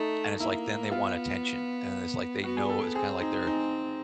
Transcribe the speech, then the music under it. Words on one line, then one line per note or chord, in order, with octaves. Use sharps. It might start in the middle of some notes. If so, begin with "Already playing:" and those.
And, it's like, then they want attention, and it's like they know it's kinda like they're
Already playing: A3 D#4
A#3 E4
B3 F4
B3 F#4
G#4
A4
C4 G#4
D#4
D#4